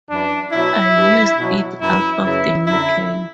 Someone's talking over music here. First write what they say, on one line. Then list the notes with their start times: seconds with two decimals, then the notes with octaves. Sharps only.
I used it out of the new can.
0.09 F#2 E3 D4
0.52 B2 F#3 E4
0.95 G2 E3
1.39 B2 F#3
1.80 F#2 E3 E4
2.23 F#2 C#3 E3 E4
2.66 F#2 D3 F#3 E4